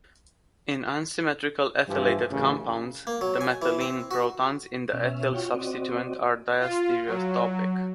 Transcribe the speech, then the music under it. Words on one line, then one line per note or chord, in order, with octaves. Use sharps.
In unsymmetrical ethylated compounds, the methylene protons in the ethyl substituent are diastereotopic.
G2 E3 F3 G4
A1 F#2 C#3
A#3
F#3
G#5
E3
C4
F#4
B2 C#4 E5 F6
F4 F#4 C#5 G5 F6
C4 F#4 D5 D#5
F4
F#3